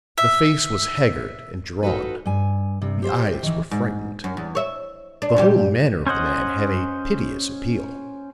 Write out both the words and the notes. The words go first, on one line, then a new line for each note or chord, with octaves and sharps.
The face was haggard and drawn; the eyes were frightened; the whole manner of the man had a piteous appeal.
E5
D#4 F4 F#4 A4 B4
G2 G#5
G2 C3
G4 C5 E5
D#3 E3
G#2
F#2
E2
C#5 E5
D4
A#2 G3 G4
C#4 C5 D#5 F#5